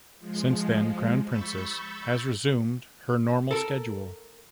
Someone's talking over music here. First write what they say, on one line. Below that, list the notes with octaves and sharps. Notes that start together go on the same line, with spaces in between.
Since then, "Crown Princess" has resumed her normal schedule.
F3 G#3
B5 C#6 E6 G6 A6
A4 A#4